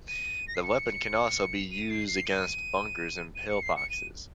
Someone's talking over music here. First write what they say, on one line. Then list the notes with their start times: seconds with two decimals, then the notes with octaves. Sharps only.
The weapon can also be used against bunkers and pillboxes.
0.08 D#7
0.48 A#6
0.55 C7
0.63 C#7
1.71 D#7
1.90 C7
2.08 C7
2.26 D#7
3.35 D#7
3.49 C#7
3.63 C7
3.76 C#7
3.90 D#7